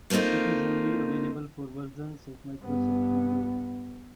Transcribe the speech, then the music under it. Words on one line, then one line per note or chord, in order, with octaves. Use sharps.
It is only available for versions of Microsoft Windows.
A3 A#3 C4 D#4 F4
G2 B3